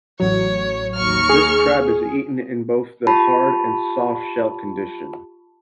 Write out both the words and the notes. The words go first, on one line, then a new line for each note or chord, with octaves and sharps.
This crab is eaten in both the hard and soft shell condition.
A1 F#3 C#5
D#2 C#6 F6
G#4
F4 G4 A5 B5